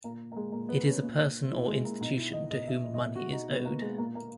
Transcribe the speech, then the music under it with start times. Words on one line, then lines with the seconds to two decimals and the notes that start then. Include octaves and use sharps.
It is a person or institution to whom money is owed.
0.04 A#2 A#3
0.32 A#3
0.36 G#3
0.52 A#2 A#3
0.69 B3
0.86 C#4
1.02 A#2
1.51 A#2 E4
1.68 G#3
1.85 A#3
2.01 B2 D#4
2.17 E4
2.33 D#5
2.51 B2 D#5
2.67 E5
2.94 D#5
2.99 B2 E5
3.15 F#4
3.32 D#4
3.49 B2 B3
3.65 A#3
3.81 G#3
3.98 A#2 A#3
4.15 A#3